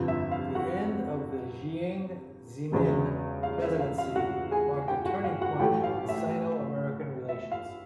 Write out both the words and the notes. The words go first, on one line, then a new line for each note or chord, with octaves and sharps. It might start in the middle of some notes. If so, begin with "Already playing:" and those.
The end of the Jiang Zemin presidency marked a turning point in Sino-American relations.
Already playing: G1 F2 C3 F3
E5
F5
F#4 F#5
E1 E2 C#3
F5
E5
F5
F5
F#4 F#5
G#4 G#5
G4 G5
F#4 F#5
F5
F#4 F#5
A1 A2 F#3 A3 G4 G5
F5
E5
E5
F5